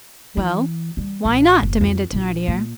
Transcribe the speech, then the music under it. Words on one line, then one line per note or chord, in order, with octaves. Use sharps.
"Well! why not?" demanded Thenardier.
E3
G3
A1
F#1
F2
A#1
A#2